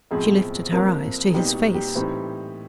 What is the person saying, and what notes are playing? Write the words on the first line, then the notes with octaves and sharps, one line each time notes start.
She lifted her eyes to his face.
B1 A2 F3 G#3 C4 G#4
C2 C3 F3 A#3 A#4
G#4
C2 A#2 G3 B3 D#4 G4
F#4
G4
A2 E3 G3 C4 D#4